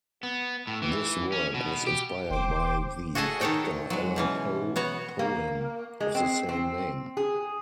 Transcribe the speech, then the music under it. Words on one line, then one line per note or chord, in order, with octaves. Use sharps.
This work was inspired by the Edgar Allan Poe poem of the same name.
B3
A2
E3
C#4
B2
G4
E1 C5 G5 D6
F#4 G#4 A4 D#5 G#5
D#3 D#4 A4 C#5 G5
F#3 G#3
B2 E3 C#4
B3 F#4 C#5
A#3
G#3
C4
C4
G#4